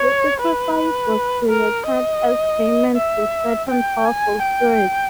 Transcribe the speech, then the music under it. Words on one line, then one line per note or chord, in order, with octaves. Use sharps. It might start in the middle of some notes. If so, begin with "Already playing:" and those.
The sacrifice was presented as payment to certain powerful spirits.
Already playing: C#5
B4
A#4
D#5
E5
G5
G#5
G5